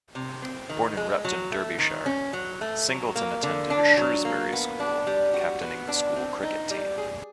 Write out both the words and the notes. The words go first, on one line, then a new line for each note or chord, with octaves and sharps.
Born in Repton, Derbyshire, Singleton attended Shrewsbury School, captaining the school cricket team.
C3
C4
D#3
G#3
F#3
A3
D#3
C#4
F#3
A3
F#3
A#3
D3
D4
F#3
A#3
B3
D4
G3
F#4
B3
D4
C4
D#4
G3
G#4